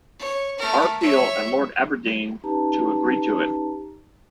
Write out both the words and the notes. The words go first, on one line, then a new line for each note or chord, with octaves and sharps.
R. Peel and Lord Aberdeen to agree to it.
C#5
A3 A#4
C#5 E5
C#4 D#4 G4 B4 A5 A#5